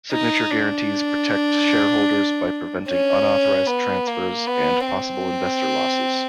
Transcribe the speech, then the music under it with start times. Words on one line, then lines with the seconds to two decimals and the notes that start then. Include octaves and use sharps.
Signature guarantees protect shareholders by preventing unauthorized transfers and possible investor losses.
0.12 D#4
0.51 D4
2.88 C#4
3.67 B3
4.07 A#3
4.46 B3
4.86 C4